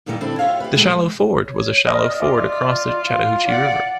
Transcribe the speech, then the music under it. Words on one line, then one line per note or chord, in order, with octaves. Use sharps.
The Shallow Ford was a shallow ford across the Chattahoochee River.
F#2 A#2 D#3 E3 G3 D#4
D3 C4 D4 E4
F4 G4 C#5 E5 F5
G4 B4
B2 D3 D#3 F#3 G#3
C#5
D5 D#5 D#6 F6
F4 D#5 E5 D6
F5
D5 F#5